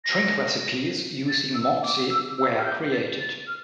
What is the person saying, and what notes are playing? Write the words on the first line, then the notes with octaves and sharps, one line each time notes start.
Drink recipes using Moxie were created.
A#6
A6
E6
D6
E6
E6
F6
G6
A6
A6
F6